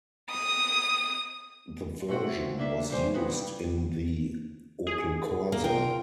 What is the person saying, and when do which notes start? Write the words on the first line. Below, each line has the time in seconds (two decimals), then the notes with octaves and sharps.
The version was used in the Opel Corsa.
0.31 D#6
2.08 C3 A3 C4 F#4 F5
2.58 A#3 D4 E5
2.89 G2 C#3 G3 G#3 C5
3.14 D2 G2 C#3 B3 F#4
3.32 G2 G3
4.87 G#4
5.52 A#3
5.64 F4 A#4 G5